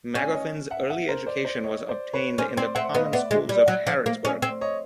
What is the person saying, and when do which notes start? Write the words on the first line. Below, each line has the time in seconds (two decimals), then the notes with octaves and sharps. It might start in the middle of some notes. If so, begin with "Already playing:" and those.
Magoffin's early education was obtained in the common schools of Harrodsburg.
0.15 C#4
0.33 C#5 D#5
0.71 E5 F#5
0.89 E5 F#5
1.08 A#4 C5
1.26 C5 D5
1.45 C5 D5
1.64 C#5 D#5
1.89 C5 D5
2.13 B4 C#5
2.38 C#4 C5 D5
2.57 C4 C5 D5
2.75 C4 E5 F#5
2.94 B3 D#5 F5
3.12 B3 D5 E5
3.31 G#3
3.49 G3
3.68 F#3
3.87 F3
4.06 A#3
4.25 C#4
4.42 C4
4.61 C#5 D#5